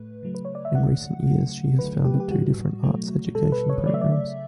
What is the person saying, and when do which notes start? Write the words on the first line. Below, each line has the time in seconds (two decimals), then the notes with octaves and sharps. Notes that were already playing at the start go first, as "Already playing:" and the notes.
In recent years, she has founded two different arts education programs.
Already playing: A2 A3 B4
0.23 C#3 F#3 A3
0.35 B4
0.45 C#5
0.55 D5
0.65 E5
0.75 D3 A3 F#5
1.27 C#3 F#3 A3
1.79 D3 F#3 A3 B4
2.05 G4
2.20 G4
2.31 A2 G3 F#4
2.83 B2 F#3 A3
3.35 B2 G3 A4
3.52 B4
3.69 C#5
3.87 C#3 F#3 A3 D5
3.94 E5
4.01 D5
4.12 D5